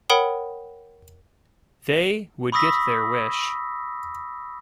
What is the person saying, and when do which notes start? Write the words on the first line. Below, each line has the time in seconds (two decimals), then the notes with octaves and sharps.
They would get their wish.
0.10 A#4 C#5 F#5 G5 B5 D#6
2.52 B5 C#6 D#6 E6 A#6 B6